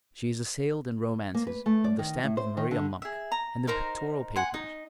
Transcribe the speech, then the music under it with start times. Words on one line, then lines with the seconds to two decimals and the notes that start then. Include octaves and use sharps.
She is assailed in romances of the stamp of Maria Monk, and in pictorial papers.
1.34 A#3
1.47 B4
1.66 A3
1.84 D5
1.99 D#3
2.23 A2
2.37 C5
2.57 D#3
2.71 D3
3.02 G#4 E5
3.32 A#5
3.67 D#4 A#4 C5 A#5
4.36 F#5 G#5 C6
4.54 D#4